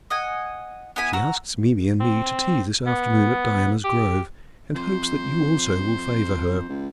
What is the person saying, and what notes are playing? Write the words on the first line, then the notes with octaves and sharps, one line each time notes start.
"She asks Mimi and me to tea this afternoon at Diana's Grove, and hopes that you also will favour her."
D#5 F#5 G#5
B3 E4 G#5 B5
F#4 A#5 E6
C4
B3
G4
F2 C5
C#2